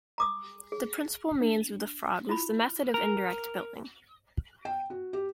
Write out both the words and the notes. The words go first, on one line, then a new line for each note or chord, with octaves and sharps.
The principal means of the fraud was the method of indirect billing.
A#5 D6 D#6
G#4
D4
E4 F4 B5
A#4
G5
F#4
G4